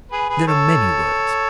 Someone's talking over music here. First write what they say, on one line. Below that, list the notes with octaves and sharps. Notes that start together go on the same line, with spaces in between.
There are many words.
G#4 B4
G#4 B4
A4 C#5